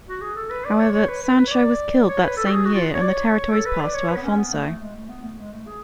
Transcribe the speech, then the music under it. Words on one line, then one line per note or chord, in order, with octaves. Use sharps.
However, Sancho was killed that same year and the territories passed to Alfonso.
F#4
G#4
A4
B4
D5
C#5
C#5
B4
B4
B4
C#5
D5
C#5
B4
A4
F#4
G#4
F#4
F4
C#5
D5
C#5
A4
B4
D5
C#5
B4
B3
C#4
B3
A3
A3
G#3
A3
B3
A3
G#3
A3
G#4